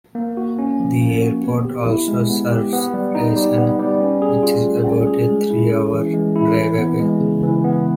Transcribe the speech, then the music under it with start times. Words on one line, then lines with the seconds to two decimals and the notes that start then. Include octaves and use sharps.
The airport also serves Rason, which is about a three-hour drive away.
0.15 A#3
0.37 F#4
0.59 C#4
0.80 F3
1.01 A#3
1.22 F#4
1.44 B3
1.65 G4
1.87 E4
2.08 G#3
2.29 B3
2.51 G4
2.73 B3
2.94 G3
3.15 D#4
3.36 G3
3.58 B3
3.79 G3
4.00 C#4
4.22 G#4
4.43 F4
4.64 A3
4.86 C#4
5.07 G#4
5.29 G#3
5.50 E4
5.71 C#4
5.93 E3
6.14 G#3
6.35 E4
6.57 E3
6.78 B3
7.00 G#3
7.21 C#3
7.43 E3
7.64 B3